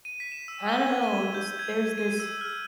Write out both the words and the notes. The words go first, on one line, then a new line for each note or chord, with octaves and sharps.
I don't know, this there's this
D#7
B6
E7
E6
G7
G#6
D#7
G6
G#6
D#7
E6
F6